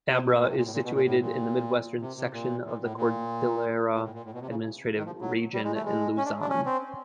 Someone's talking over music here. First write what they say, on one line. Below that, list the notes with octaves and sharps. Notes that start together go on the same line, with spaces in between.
Abra is situated in the mid-western section of the Cordillera Administrative Region in Luzon.
C3
B2
A#2
C3
A#2
A2
A#2
B2
A#2
A2
A#2
C3
C3
A#2
A#2
A2
A#2
A#2
A2
A#2
A2
B2
C3
C#3
D#3
F3
F#3
G3
G#3
A3
G#3
C#4
D4
D4
C#4
C4